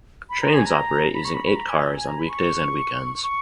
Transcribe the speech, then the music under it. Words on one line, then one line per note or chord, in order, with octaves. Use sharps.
Trains operate using eight cars on weekdays and weekends.
B5
A#5
G#5
A#5
B5
C#6
B5
B5
A#5
G#5
G#5
A#5
B5
C#6
C#6